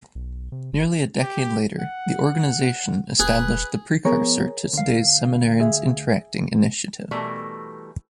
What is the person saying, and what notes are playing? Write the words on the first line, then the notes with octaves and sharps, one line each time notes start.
Nearly a decade later, the organization established the precursor to today's Seminarians Interacting initiative.
B1
C3
G1
G4
F#5
E1 G#4 B4 F#6
F3 B3 G#4 A#4 C#5
D2 F5
G#4 E5
B2 E3 G3 A3 A#4